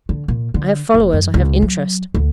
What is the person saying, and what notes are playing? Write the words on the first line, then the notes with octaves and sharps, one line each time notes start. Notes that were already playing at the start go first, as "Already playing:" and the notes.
I have followers,--I have interest.
D3
A#2
D3
F#1
F#2
C#2
F#3
D2